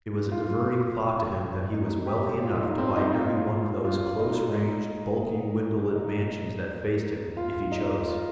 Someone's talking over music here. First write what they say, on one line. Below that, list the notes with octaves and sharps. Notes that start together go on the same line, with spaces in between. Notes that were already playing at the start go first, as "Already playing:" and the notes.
It was a diverting thought to him that he was wealthy enough to buy every one of those close-ranged, bulky, window-lit mansions that faced him, if he chose.
F4
D#4
G4
F4
D#4
C4
D#4
F4
F4
D#4
D#4
D#4
F4
D#4
F4